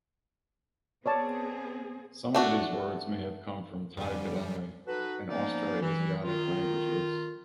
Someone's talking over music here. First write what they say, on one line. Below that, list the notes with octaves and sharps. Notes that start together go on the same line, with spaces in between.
Some of these words may have come from Tai-Kadai and Austroasiatic languages.
B3 C4 G#4 C#5 D5 A5
A3 D4 F#4
F2 D3 G3 G#5
D#4 F#4 A4 B4
F3 A#3 B3 C#4 D#4 D5
E3
D#3 F4